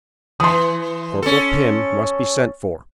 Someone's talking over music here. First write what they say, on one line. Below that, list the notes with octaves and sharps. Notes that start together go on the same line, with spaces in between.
Corporal Pim must be sent for.
E3 C6 D#6
C#4 A4